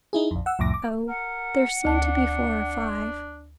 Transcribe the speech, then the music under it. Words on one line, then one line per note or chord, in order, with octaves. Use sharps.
Oh--there seem to be four or five.
D#4 E4 G#4
A#1 F2
F#5 E6
C2 F2 A2 D6 A#6
D6
A#4 F#5
D2 D4 A5